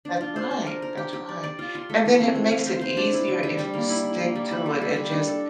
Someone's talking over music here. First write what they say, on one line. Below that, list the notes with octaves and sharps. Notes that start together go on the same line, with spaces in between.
That's right, that's right. And then it makes it easier if you stick to it and just
D4
F4
C5
C5
A#4
A#4
G4
G4
D5
D5
F4
F4
A3
E3
C4
E3
F5
C5
C5
D4
E4
G3
G3
G3
A#3
E4
E4
A#3
G3
E4
G3
G3
G3
D4
A4